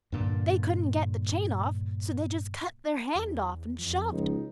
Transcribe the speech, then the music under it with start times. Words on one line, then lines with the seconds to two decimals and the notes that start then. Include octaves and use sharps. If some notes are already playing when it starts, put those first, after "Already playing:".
They couldn't get the chain off, so they just cut their hand off and shoved.
0.12 G2 A#2 D3
3.15 E2
3.79 F2 F3
4.12 C#2 D#4